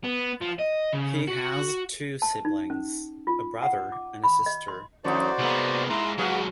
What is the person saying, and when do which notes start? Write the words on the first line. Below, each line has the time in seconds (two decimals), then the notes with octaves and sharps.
He has two siblings, a brother and sister.
0.04 B3
0.41 F3
0.59 D#5
0.93 C#3
1.28 F#4
2.22 A5
2.45 D#4
2.70 C#4
3.27 F4
3.62 F#5
3.92 D6
4.24 B5
4.46 D#5
4.68 C6
5.04 F2 A2 D#3 F#4 C5 D5
5.39 C2 G#3 A#3 B3
5.90 G#2 E4 A#5 C6
6.18 G#2 F#3 F#4 G#4 B4 F5